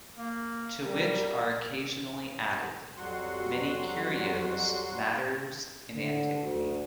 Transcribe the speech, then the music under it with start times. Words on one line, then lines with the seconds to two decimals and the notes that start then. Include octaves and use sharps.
To which are occasionally added, many curios matters in antiquity.
0.17 A#3
0.83 G3 A#4
2.97 F2 F#3 G3 F#4 F#5 C6
5.94 D3
6.41 D2